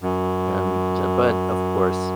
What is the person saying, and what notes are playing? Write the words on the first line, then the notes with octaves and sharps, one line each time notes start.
and j but, of course,
F#2